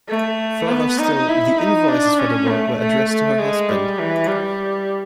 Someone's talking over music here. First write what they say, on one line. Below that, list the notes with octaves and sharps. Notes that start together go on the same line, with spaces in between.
Further still, the invoices for the work were addressed to her husband.
A3
B3
D#4
E4
D#4
D4
C#4
A3
A3
A3
G#3
G3
E3
G3